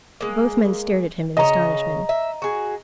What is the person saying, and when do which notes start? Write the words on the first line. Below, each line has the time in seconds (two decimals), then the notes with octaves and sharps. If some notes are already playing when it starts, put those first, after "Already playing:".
Both men stared at him in astonishment.
0.20 G#3 A#3
1.37 C#3 C#5 D#5 A#5
2.09 E5
2.42 F#4 G#4